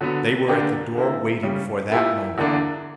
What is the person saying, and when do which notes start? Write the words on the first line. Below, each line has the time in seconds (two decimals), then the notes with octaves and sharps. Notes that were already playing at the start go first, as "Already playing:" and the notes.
They were at the door waiting for that moment.
0.01 D3 F#3 B3
0.48 D3 A#3 D4 G4
0.95 D3 A#3 E4
1.43 C#3 G3 C#4
1.91 A#2 A#3 E4 G4
2.38 E2 D3 A#3 D4